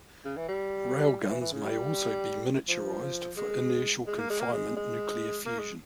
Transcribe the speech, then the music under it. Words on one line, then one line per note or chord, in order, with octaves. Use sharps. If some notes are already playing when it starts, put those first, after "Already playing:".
Railguns may also be miniaturized for inertial confinement nuclear fusion.
C#3
E3
G3
E3
E3
C#3
G3
F3
G#3
G#3
A#3
G#3
A#3
G#3
G#3
A#3
G#3